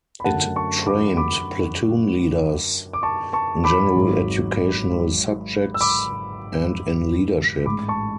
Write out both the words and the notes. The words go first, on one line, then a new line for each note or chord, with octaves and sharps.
It trained platoon leaders in general educational subjects and in leadership.
B5
F#2 D3 A3 F#5 A5
A5 C#6
B5 D6
B5 D6
D6
A5 C#6
A5 C#6
B5 D6
G#1 G#2 F#3
E6
B5 D6
A1 G#2 G#3 B5 D6
A5 C#6